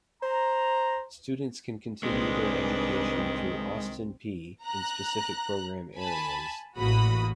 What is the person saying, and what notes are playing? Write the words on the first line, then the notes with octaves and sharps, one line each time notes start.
Students can continue their education through Austin Peay in specific program areas.
C5 A#5
C2 D#3 G#3 C4 D4 B4
A#5 F#6
G#5 A5 B5
A1 A#3 F#4 B5 D#6